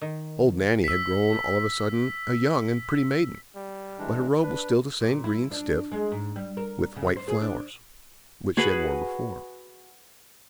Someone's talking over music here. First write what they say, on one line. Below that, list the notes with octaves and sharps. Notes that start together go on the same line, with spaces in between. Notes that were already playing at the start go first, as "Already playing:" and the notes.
Old Nanny had grown all of a sudden a young and pretty maiden; but her robe was still the same green stuff with white flowers, which she had worn before.
D#3
E6 B6
G3
E3 G#3 D4
D4 B4
A#2
E4
D4
G#3
G#2
G3
A#4
C#3
C5
G#4
D4
F#4 G#4 B4 B5